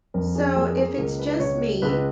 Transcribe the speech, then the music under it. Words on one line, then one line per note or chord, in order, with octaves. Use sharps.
So if it's just me,
F2 A#4
G#4
A#3 G#4
G#4
C#2 A#4
B4
C#2 C#5
C#2 B4